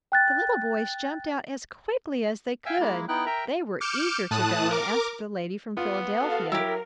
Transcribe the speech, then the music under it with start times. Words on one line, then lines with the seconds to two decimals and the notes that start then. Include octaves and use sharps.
The little boys jumped out as quickly as they could; they were eager to go and ask the lady from Philadelphia.
0.12 G5 F#6 A6
2.66 E5 F5 G5 G#5 E6
2.80 G#3 A#3 E4
3.08 B3 D#4 E4 G5 F#6
3.26 A#4 E5 G5 A#5
3.81 D6 F6 G6 C#7 D7 E7
4.31 A2 A5 D#6 F#6
4.70 A#4 D6
5.77 B3 F4
6.17 F#4 A4 F5
6.52 F#3 E4 G4 A#4